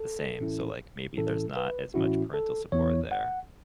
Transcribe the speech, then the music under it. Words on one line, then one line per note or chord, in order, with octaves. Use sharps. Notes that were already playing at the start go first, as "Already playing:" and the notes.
the same, so, like, maybe there's not as much parental support there
Already playing: A4
A2 E3 C#4 E4
A2 E3 C#4 E4 A4
B4
A2 E3 C#4 E4 F#4
A4
E2 E3 B3 E4 C#5
F#5